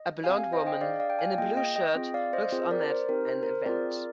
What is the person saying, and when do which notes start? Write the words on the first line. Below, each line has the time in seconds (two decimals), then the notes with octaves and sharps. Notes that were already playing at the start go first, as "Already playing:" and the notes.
A blond woman in a blue shirt looks on at an event.
Already playing: D#5
0.24 C4 G4 F5 G#5
0.38 F5 G#5
0.52 C5 D#5
0.67 D#5 G5
0.81 D4 G#4 D5 F5
1.00 D5 F5
1.10 G5
1.19 F5 G#5
1.38 A#3 F4 G#4 D#5 G5
1.57 D#5 G5
1.76 D#5 G5
1.95 C4 F4 G#4
2.14 D5 F5
2.33 C5 D#5
2.52 C4 F4 G#4 C5
2.71 A#4 D5
2.82 A#4
2.90 C5
3.09 C4 D#4 G4 A#4
3.28 C5
3.43 A#4
3.47 C5
3.66 C4 F4 G#4 A#4 D5